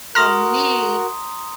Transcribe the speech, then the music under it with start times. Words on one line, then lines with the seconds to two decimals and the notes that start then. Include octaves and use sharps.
for me,
0.15 F#4 A#4 A#5 C6 D#6 F6 A#6